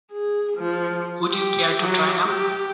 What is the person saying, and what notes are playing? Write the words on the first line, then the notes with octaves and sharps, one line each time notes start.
Would you care to try now?
G#4
F3
G4
F#3
G4